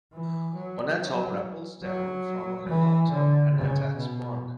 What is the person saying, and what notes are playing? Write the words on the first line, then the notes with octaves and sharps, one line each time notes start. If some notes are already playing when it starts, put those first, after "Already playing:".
Onatopp rappels down from a helicopter and attacks Bond.
E3
F#3
F#3
F#3
E3
D3
C#3
B2